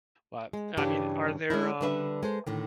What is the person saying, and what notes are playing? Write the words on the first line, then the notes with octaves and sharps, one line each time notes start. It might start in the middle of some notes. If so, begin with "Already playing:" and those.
but I mean, are there, um
G#3
G2 C#3 E3 G3 D4 G4
G#3 C#4 D4 E4
D3 G3 D4 B4 E5
G#3 A4 C5
A2 D3 D#3